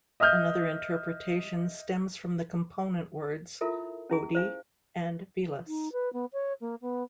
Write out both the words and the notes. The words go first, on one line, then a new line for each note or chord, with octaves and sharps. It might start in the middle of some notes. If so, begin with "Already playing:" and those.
Another interpretation stems from the component words: "odi" and "velas".
D#5 E5 D#6 F6 G6
E4 F4 A4 A#4 E5
C#4 E4 G#4
C5 F5 G#5
D#4
B4
B3
C#5
A#3
B3